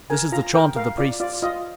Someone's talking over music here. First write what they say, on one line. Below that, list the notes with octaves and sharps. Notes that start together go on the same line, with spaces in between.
This is the chaunt of the Priests.
A#4 G#5
F4 A#5
A#4 G5
A#4 F5
F4 D5
F4 D5
F4 D#5